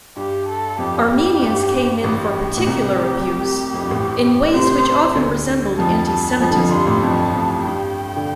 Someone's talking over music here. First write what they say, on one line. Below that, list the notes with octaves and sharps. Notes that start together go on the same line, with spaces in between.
Armenians came in for particular abuse in ways which often resembled anti-Semitism.
G2 G4
A4
F2 G4
G2
A1 A2 G4
A2
C2 C3
F2
G2
A1 A2
C2 C3 C5
D2 D3
F2 F3 A5
A5
F2 F3 A5
D3
F2 F3
G2 C6
A1 A2
F2 A5
F2
G2 G5
D3